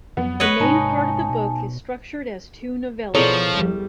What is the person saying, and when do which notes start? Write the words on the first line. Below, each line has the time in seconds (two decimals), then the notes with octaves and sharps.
The main part of the book is structured as two novellas.
0.17 F2 F3 F#3 B3
0.40 B4 C#5 D#5
0.60 G#2 C3 D#4 G#5 A5
1.29 B2
3.15 B2 F3 E4 G#4 A4 C#5
3.55 E2 G3